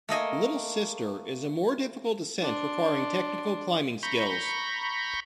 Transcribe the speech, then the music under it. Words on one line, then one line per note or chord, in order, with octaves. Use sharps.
"Little Sister" is a more difficult ascent requiring technical climbing skills.
A3 A#3 D#5 G#5
D4 C6
A#5 B5 C#6 G6